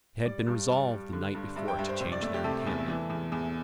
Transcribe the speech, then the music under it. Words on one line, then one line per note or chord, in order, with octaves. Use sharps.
It had been resolved the night before to change their encampment.
G3 D5
G2
G3
G3
D3
G2
G2 E5
G5
G2 E5
C5
C3 C5
D5
A3 E5
G4
C3 A4
E2
E3
E2
E2